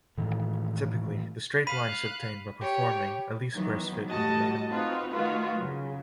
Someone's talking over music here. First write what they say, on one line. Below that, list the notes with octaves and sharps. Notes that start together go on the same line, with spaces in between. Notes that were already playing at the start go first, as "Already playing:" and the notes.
Typically, the straight line is obtained by performing a least-squares fit of the data.
A2 D#3 E3
F5 B5 F#6 B6 D#7
G4 C#5
D#3 E3 F#3 B3
A2 G3 F#4 D#5 A5
C4 D#4 F4 F#4 B4
D#3 A3 F4 F#4 B4
C#3 F#3